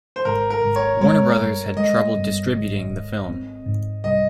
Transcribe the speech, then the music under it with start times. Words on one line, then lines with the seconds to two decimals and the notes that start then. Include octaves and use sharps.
Warner Brothers had trouble distributing the film.
0.16 C5
0.25 G#1 A#4
0.50 A#4
0.64 G#1
0.76 C#5
1.01 G#3 C#5
1.39 G1
1.76 G#3 D#5
2.15 G1
2.53 G#1
2.90 G#1
3.29 C4
3.66 G#2
4.04 C2 D#5